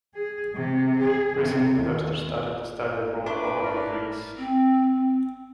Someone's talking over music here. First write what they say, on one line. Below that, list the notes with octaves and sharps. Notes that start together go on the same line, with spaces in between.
Recently, Webster started a study abroad program in Greece.
G#4
C3
G#4
C3
D#2
D4 E4 B4 C5 C#6 D6
A#4 D5
C4